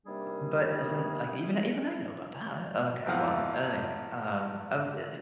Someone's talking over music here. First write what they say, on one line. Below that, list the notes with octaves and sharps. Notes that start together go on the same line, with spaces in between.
But isn't like even even I know about that okay, well, anyway, um um i eh
C3 D#3 G3 A#3 D4 G#4
G#1 E2 E3 F3 F5 F#5